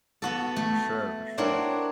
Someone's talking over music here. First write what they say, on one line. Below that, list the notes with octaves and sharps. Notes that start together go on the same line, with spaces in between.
For sure, for sure.
B3 F#4 A4
A3
C4 D4 E4 F#4 A#4 C#5